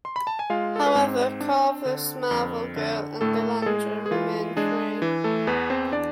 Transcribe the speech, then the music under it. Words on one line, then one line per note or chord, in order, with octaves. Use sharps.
However, Korvus, Marvel Girl and Lilandra remain free.
C6
B5
A5
G#5
G#3 F4 F5
A4
B4
G#2 C4 C5
D4
D3
F2
D3
A2 A3 A4
A4
G#3 G#4
G#4
E3 F4
G#3 D4 G#4
E3
A3 A4
E2 B3 B4
C4 C5
D4 D5